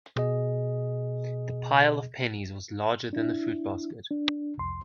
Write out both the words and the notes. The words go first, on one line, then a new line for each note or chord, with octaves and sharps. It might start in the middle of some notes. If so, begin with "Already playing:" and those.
The pile of pennies was larger than the fruit basket.
B2 G#4 D#5
D4 E4
D4
C2 F2 C6